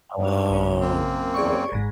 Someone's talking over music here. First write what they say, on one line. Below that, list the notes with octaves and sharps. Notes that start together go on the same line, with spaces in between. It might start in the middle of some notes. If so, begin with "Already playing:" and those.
Oh, boy.
G#2
A#1 C#3
F#2 A#3 C4
G#4 D5 C#6
G#1 G#2